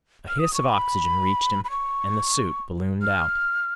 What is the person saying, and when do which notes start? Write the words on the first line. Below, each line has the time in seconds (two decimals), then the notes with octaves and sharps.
A hiss of oxygen reached him and the suit ballooned out.
0.29 F6
0.39 D#6
0.54 C#6
0.69 B5
1.64 B5
1.71 C#6
3.02 F6